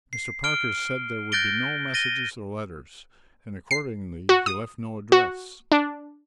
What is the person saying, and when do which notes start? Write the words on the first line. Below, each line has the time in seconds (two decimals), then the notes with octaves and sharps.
"Mr. Parker said there would be no messages or letters, and accordingly he left no address."
0.13 C7
0.44 F6 D7 G7
1.32 F#6 G6 A6 A#6 D7 G7
1.94 A6 A#6 D#7 G7
3.71 C7
4.29 F#4
4.46 D#6
5.12 F#4
5.72 D4